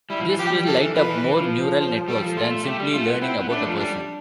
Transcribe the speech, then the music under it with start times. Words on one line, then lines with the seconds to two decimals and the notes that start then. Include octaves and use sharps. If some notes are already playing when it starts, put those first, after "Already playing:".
This will light up more neural networks than simply learning about a person.
0.10 G3 E4
0.20 F3
0.29 E3
0.38 F3 G4
0.52 G3
0.66 F3 A4
0.80 E3
0.95 F3 B4
1.09 E3
1.23 E3
1.37 F3
1.80 C5
2.08 G3 A4
2.22 F3
2.37 A3 F4
2.51 A3
2.65 A3 G4
2.80 G3
2.93 A3 F4
3.07 B3
3.22 C4 E4
3.40 B3
3.50 A3 D4
3.67 F3
3.78 G3 D4